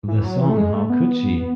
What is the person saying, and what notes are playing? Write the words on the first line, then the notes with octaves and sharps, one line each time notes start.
The song How Could She?
E3
F#3
E3
A3
G#3
A3
B3